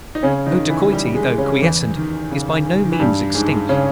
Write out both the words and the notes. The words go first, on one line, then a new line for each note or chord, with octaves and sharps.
Oh, dacoity, though quiescent, is by no means extinct.
D#4
C#3 C#4
D#3 D#4
E3 E4
G3 G4
G#3 G#4
C#3 C#4
E2 E3
D#3
C#3
D#3
D#3
E3
G2 G3
G#2 G#3
C#3 C#4